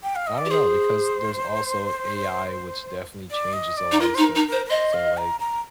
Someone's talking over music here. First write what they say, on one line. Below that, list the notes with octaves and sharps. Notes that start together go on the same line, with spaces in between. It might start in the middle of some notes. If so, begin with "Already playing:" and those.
I don't know, because there's also AI, which definitely changes a lot of stuff. So, like,
G5
F5
D#5
D5
G4
G#4 C5
D5
D#5
D5
D#4
F4 A#4
D#4 C5
A#4
D#4
A#4 C5
A#4
C5 D#5
F5
A#5
A#5